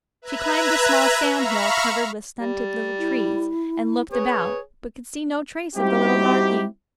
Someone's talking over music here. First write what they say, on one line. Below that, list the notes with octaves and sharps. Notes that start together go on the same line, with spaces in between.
She climbed a small sand-hill covered with stunted little trees and looked about, but could see no trace of the little darky.
B4 E5 A#5 F#6 G#6
E5 F5 A#5 B5 C#6 F6
G3
E4
G#4 B4 C#5
G3 C4 D#4 E4 F#4 G4